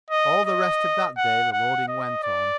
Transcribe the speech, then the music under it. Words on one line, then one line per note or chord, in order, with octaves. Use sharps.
All the rest of that day the loading went on.
D#5
D#5
F#5
F#5
D#5
D5